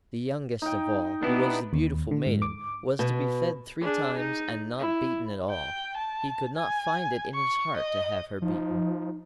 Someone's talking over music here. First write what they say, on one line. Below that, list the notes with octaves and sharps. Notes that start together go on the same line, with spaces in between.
The youngest of all, who was the beautiful Maiden, was to be fed three times, and not beaten at all; he could not find it in his heart to have her beaten.
D#4 G5
B3 D4 E4 G4
D#2
D3
G#2
D6
B2
D4 G#4
D#4
E4
G5
A5
G#5
C#6
D#5
F3 D#4